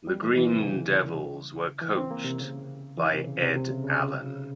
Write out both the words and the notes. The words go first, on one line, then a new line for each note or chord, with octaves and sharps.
The Green Devils were coached by Ed Allen.
G3
E3
E3
C3
C#3
E3
C4
A#3
C3
C#3
E3
C3
C#3
C3
C3
C#3
C#3
C#3
C#3